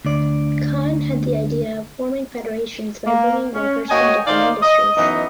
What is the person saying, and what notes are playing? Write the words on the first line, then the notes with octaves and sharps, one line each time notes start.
Khan had the idea of forming federations by bringing workers from different industries.
D2 D5
A#3
C#4
A#3 F#4 C#5 D#5 G5 G#5
D#3 D#4 C5 D5 F5
D#5
F#2 E3 B3 D#4 D#5